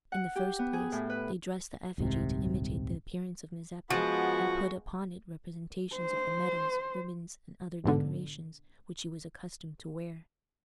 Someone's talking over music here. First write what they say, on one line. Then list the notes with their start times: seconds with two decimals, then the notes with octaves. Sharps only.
In the first place, they dressed the effigy to imitate the appearance of Mazeppa, and put upon it representations of the medals, ribbons, and other decorations which he was accustomed to wear.
0.12 F#5
0.36 G4
0.59 B3
0.73 G#4
0.92 A2
1.10 B4
1.98 D#1 C2 G#2 C3
3.90 F3 G#3 B3 F#4
5.95 C5
7.84 A1 G#2 B2 D3